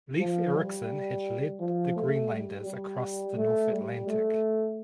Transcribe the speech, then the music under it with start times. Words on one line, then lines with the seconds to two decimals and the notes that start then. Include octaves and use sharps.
Leif Erikson has led Greenlanders across the North Atlantic.
0.19 F3
0.55 G3
1.60 F3
1.96 A3
2.31 G3
2.66 G3
3.37 A3
3.71 G3
4.07 A3